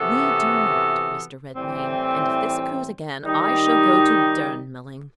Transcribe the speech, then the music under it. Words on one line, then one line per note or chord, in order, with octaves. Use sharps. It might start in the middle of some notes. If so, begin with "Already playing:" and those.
"We do not, Mr. Redmain; and, if this occurs again, I shall go to Durnmelling."
Already playing: C3 E3 B3 F#4 A4
A2 E3 G3 C4
D#3 G3 D#4 G4